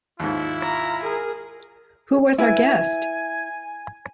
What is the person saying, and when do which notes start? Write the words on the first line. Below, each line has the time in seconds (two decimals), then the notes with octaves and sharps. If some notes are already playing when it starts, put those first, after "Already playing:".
Who was our guest?
0.20 D#2 G#2 E4 F4
0.62 A#5
1.03 G#4 A#4
2.38 E4 B4 G#5